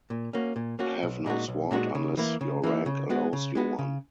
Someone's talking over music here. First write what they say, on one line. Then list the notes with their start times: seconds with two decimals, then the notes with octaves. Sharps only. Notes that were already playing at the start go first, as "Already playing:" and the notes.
Have no sword unless your rank allows you one.
0.10 A#2
0.33 A#3 C#4 F#4
0.56 A#2
0.79 A#3 C#4 F#4
1.03 B1
1.26 A#2 G#3 D#4 F#4
1.48 B1
1.71 A#2 G#3 D#4 F#4
1.95 C#3
2.17 E3 A#3 E4
2.41 C#3
2.63 E3 A#3 E4
2.86 C#3
3.10 G#3 B3 F#4
3.33 C#3
3.55 G#3 B3 F#4
3.79 C#3